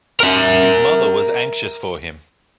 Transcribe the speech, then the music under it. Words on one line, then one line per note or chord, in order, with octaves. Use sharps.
His mother was anxious for him.
A#4 E5